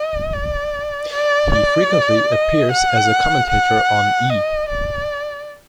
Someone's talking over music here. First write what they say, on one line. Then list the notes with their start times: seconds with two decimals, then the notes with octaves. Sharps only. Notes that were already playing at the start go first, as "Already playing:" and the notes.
He frequently appears as a commentator on E!
Already playing: D#5
0.34 D5
1.13 D5
1.53 D5
2.32 D#5
2.71 F#5
3.50 F#5
4.30 D#5
4.69 D5